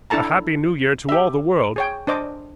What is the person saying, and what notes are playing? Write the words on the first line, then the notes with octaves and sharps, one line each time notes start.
A happy New Year to all the world!
D4 E4 A4 A5 A#5
G4 E5
G#4 C#5 G5
D4 C5 D#5 D6